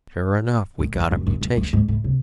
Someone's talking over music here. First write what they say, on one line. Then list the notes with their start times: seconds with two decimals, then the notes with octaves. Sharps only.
Sure enough, we got a mutation.
0.80 A2
0.95 F#2
1.11 F#2
1.27 F#2
1.41 E2
1.57 E2
1.73 G#2
1.88 A2
2.04 C3